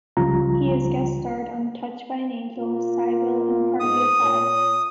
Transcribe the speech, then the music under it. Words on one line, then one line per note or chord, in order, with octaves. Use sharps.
He has guest starred on "Touched by an Angel", "Cybill" and "Party of Five".
C#2 C#3 F3 G3 F4 A#5
A#2 A#3 F4
G#2 D#6
A#2 C#5